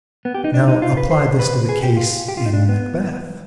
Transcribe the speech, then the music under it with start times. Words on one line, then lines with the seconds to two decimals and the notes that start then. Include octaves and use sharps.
Now apply this to the case in Macbeth.
0.25 B3
0.34 G4
0.44 D#4
0.54 D4
0.68 D#4
0.82 F4
0.97 B4
1.11 C5
1.39 B4
1.69 G#4
1.83 G4
1.97 F4
2.28 G4
2.37 F4
2.46 D#4
2.53 D4
2.69 B3